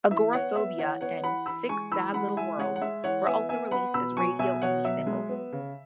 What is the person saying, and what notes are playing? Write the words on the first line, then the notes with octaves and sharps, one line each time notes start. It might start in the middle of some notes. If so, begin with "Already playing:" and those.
"Agoraphobia" and "Sick Sad Little World" were also released as radio-only singles.
E3 E5
B3 C#5 F#5
B3 E5
E3 C#5 F#5
B3 C#5 F#5
E3 F#5 B5
E3 B5 E6
G#3 G#5 C#6
E3 B5 E6
G#3 F#5 B5
E3 E5 G#5
G#3 C#5 F#5
F#5
G#3 E5
E3 C#5 F#5
B3 E5 G#5
B3 E5 G#5
B3 F#5 B5
B2 B5 E6
F#3 G#5 C#6
B2 E5 G#5
B2 C#5 F#5
F#3 E5
G#3
B3
C#3